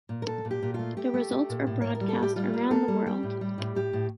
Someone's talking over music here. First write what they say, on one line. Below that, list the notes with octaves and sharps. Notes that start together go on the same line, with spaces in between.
The results are broadcast around the world.
A#2
A#4
A#2 A4
A#2
G4
A#2
F4
A3
A3 G4
A3
A3
A#2
A2
A2 C#5
A#4
G3
A4
A2 G4
G3 F4
A#3
A#3 A4
G3
G3 G4
A2
G3
A2
A2 G4
A2